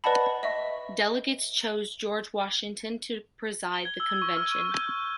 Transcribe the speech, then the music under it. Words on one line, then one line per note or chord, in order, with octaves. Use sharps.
Delegates chose George Washington to preside the Convention.
B4 D5 D#5 F#5 A5 B5
D#5 E5 C#6
G7
G#6
E6
C#6
F6
D#7
G6